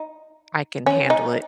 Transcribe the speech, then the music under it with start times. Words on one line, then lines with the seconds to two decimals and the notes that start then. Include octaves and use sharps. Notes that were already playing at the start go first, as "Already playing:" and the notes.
I can handle it.
Already playing: D#4
0.86 C#4
1.10 D#4